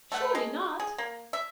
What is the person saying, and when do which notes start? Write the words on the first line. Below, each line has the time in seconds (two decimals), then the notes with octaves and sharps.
"Surely not?"
0.12 A3 F#5
0.35 G#3
0.80 G#4
0.98 A#3
1.33 E5